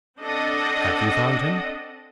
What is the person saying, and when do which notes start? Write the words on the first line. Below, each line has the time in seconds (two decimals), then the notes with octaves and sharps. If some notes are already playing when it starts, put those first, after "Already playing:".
"Have you found him?"
0.20 C4 D4 A4 D#5 F#5